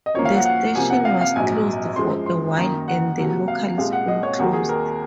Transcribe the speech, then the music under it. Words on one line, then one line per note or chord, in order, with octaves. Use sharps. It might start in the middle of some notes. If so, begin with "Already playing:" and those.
The station was closed for a while and the local school closed.
D#5
F#2 F3 A#3 C#5
F5
F#5
F#5
C2 C3 F3 A#3 G#5
F#5
F5
F5
A#1 G#2 F#3 G#5
F#2 F3 G#3 C6
C6
F#2 D#3 A#3 A#5
F#5
C2 C3 F#3 A#3
F5
C2 A#2 G#3 F5
F#5
D#5
C#5
D#2 D#3 A#3 F#4
G#4
A#4